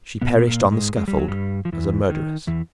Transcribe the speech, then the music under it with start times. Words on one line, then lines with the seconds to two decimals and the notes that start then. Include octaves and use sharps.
She perished on the scaffold as a murderess!
0.22 B2 B3
0.39 B3
0.47 A#2 A#3
0.72 G#2 G#3
0.97 G#3
1.08 G3
1.18 F#3
1.28 G2 G3
1.65 F3
1.72 E2 E3
2.10 D#3
2.47 E2 E3